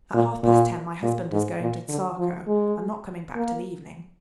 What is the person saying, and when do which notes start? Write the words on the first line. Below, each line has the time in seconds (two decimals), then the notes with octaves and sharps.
At half-past ten my husband is going to Tsarskoe and not coming back till evening.
0.14 A#2
0.43 A#2
1.03 A#2
1.32 G#2
1.61 A#2
1.89 D3
2.18 F3
2.47 G#3
3.35 A#3